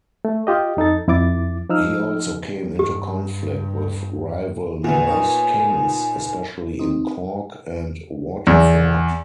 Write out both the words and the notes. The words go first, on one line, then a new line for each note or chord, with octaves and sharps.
He also came into conflict with rival Norse kings, especially in Cork and Waterford.
A3
F4 G4 D#5
F2 D#4 A4 A6
F2 E4 D6 A6
F3 D#4 E6 F6
G2 G4
A#2 D3 B3 E4 F#4 G#5
D#4 A#4 C#5
C4 D#4
E2